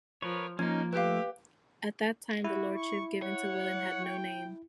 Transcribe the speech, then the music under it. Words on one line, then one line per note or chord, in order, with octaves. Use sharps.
At that time, the lordship given to William had no name.
F3 A#4 B4 C#5
F3 A#3 C#4 D#4 G#6
A3 G4 B4 F5
E4 F#4
C#6
C#5 F#5
G5